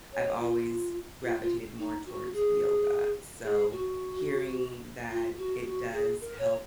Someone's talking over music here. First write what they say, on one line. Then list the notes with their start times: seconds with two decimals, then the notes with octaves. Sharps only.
I've always gravitated more towards yoga. So, hearing that it does help,
0.12 C#5
0.39 F4
1.23 F4
1.42 F4
1.79 D#4
2.06 F#4
2.33 G#4
3.44 G#4
3.72 F#4
5.10 F4
5.38 F#4
5.65 F#4
5.93 G#4
6.21 A#4
6.39 C#5